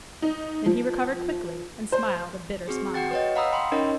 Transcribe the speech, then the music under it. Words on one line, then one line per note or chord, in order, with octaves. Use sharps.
Then he recovered quickly and smiled a bitter smile.
D#4
F3
C5
C4 F#4 G#4
F#4 F#5 G5 A6
B4 C#5 D#5
F5 F#5 A#5 B5 D#6 E6
G5 B5 C6
C#4 D#4 A#4 C#5 D#5